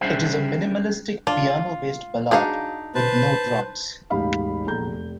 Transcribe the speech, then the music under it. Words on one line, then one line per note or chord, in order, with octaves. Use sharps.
It is a minimalistic piano-based ballad with no drums.
G3 C#4 D4 G#4 C5 E5
D4 F4
D4 D#4 F#4 G#4 F5
B4 C5 A5
E1 A1 D#4 G4 F5 B5
A#1 E2 A4 A#5 G6
F1